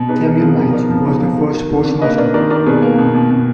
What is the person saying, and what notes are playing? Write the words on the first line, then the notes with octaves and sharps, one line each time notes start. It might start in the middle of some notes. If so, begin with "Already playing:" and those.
Samuel Miles was the first postmaster.
Already playing: B2
D#4 G#4 B4
D#4 A#4
F3 G#4
F3 A#4
D#4 A#4 D5
F3
D#4
F3
D#3
D#3
D#3
D4
A#3 B4 D#5
D4 A#4 D5
D#3 A#4 D5
D#3 A#4 D5
B2 G#4 B4
A#3
B2
B2
B2